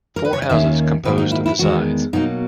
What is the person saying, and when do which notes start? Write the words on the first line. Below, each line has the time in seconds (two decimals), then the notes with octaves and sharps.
Four houses composed the sides.
0.16 A#4
0.25 B4
0.33 C#5
0.42 D#5
0.50 D#2 D#3 A#3 C#4 E5
1.04 G#2 D#3 F#3 A#3 B4
1.18 D#4
1.32 E4
1.46 E4
1.59 E2 D#3 G#3 F#4
2.13 B2 F#3 A#3 D#4